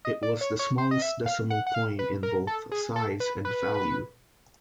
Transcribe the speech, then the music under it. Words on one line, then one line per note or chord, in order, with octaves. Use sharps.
It was the smallest decimal coin in both size and value.
D#5
D5
C#5
C#5
C5
D#5
E5
F5
F#5
F#5
F5
B4
A#4
A4
G#4
A4
B4
B4